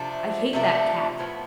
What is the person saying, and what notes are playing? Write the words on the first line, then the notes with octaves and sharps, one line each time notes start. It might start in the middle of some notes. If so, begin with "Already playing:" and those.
I hate that Cat!
Already playing: C3 F3 A3 D4
C3 F3 A3 D4
A2 F3 B3